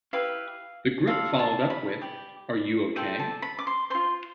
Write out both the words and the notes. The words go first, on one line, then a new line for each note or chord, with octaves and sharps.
The group followed up with Are You Okay?
E4 G4 B4 F5
F4 A4 D5 F5
A5
B5
G4 D5
F4 A4 D5 G5
A5
B5
D6
C6
F4 C5 C6